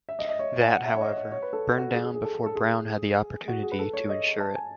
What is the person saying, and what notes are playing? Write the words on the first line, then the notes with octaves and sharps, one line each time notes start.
That, however, burned down before Brown had the opportunity to insure it.
E5
D#5
E5
D#5
C#5
G#5
F#5
E5
C#5
D#5
C#5
C#5
B4
A4
F#4
G#4
G#4
G#4
A4
A4
G#4
F#4
G#4
B4
A4
C#5
D#5
A5
G#5